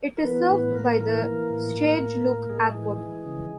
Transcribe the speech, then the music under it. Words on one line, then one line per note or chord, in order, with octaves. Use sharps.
It is served by the Shageluk Airport.
A#4
E3 B3 B4
A2 B3 B4
A2 A#3 A#4
E3 A#3 A#4
E3
A2
A2
A2
A2
A2 G#3 G#4
E3
E3
C#3